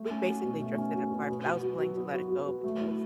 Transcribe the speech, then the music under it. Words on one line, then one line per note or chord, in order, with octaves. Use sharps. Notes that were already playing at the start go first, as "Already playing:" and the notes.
we basically drifted apart, but I was willing to let it go because
Already playing: A3
C#4
F#4
B2
A3
C#4
F#4
B2
B3
F#4
F#3
F#3
B3
F#4
F#3
F#3
A3
E4